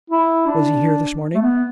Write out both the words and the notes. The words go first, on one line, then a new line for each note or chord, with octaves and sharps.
'Was he here this morning?'
E4
D4
A3
B3